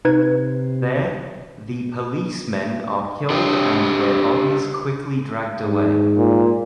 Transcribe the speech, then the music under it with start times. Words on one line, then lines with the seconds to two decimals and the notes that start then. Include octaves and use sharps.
There, the policemen are killed and their bodies quickly dragged away.
0.05 C3 D#4 B4 G#6
3.30 D4 G4 C#5 D#5
5.67 G#2
6.17 A#2